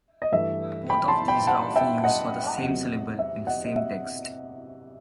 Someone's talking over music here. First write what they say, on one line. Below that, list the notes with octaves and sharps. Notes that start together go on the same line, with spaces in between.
Both of these are often used for the same syllable in the same text.
D#5
G2 E3 A3 E5
G5 B5
A5 C6
G5 B5
F#5 A5
E5 G5
D#5 F#5
E2 C3 F#3
E5
D#5 F#5
D#5
E5